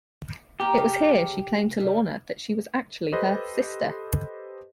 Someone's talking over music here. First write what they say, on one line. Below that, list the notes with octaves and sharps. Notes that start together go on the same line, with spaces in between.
It was here she claimed to Lorna that she was actually her "sister".
A#3 B3 G4
C#3 A3 A#5
C3 G3
G4 A4 B4 C5 D#5